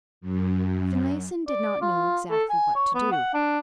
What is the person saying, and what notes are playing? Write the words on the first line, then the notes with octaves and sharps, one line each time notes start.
Finlayson did not know exactly what to do.
F#2
D5
F4
A4
G#5
C#5
B3
F#5
D4